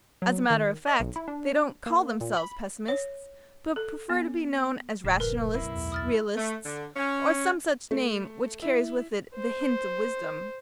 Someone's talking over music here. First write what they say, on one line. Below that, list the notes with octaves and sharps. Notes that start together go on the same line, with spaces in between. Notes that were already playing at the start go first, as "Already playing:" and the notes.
As a matter of fact, they don't call themselves pessimists, but prefer to be known as rationalists, realists, or some such name which carries with it the hint of wisdom.
F#3
D#3
D#5
B1
E4
D4
A#3
A#2
B5
C#5
A4
B3
D#1 A#1 G2 D3
A#4 B4
B1 F#2 A2 E4
E2
D#6 F6 A6
A3
D3
C#4
A3
E4
C5